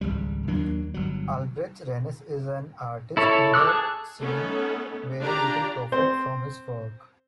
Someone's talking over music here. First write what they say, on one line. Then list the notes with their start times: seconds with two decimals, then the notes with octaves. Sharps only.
Albrecht Raines is an artist who has seen very little profit from his work.
0.01 G#1 C#2 G3
0.47 D#2 F#3 A#3 D4
0.94 G1 F#3
3.17 E4 A4 C#5
3.54 A4 D6 E6 F#6
3.66 G#4 A5 F#6
4.21 A3 B3 C#4 D#4 A4
5.20 D4 F4 G4 D5 A#5
5.92 C4 C5